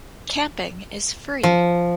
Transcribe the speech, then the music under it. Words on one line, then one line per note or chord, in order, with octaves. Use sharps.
Camping is free.
F3